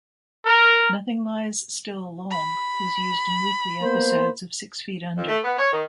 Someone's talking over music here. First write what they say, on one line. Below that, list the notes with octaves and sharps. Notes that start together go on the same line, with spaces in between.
"Nothing Lies Still Long" was used in weekly episodes of "Six Feet Under".
A#4
B5
A#3 B3 C5
F2
A3
B3
C#5
D#3